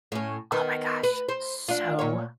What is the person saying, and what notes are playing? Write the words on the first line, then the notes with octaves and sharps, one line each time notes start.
Oh my gosh, so
A2 C#4
D#3 B3
B4
C5
D4 F4
A#2 C#5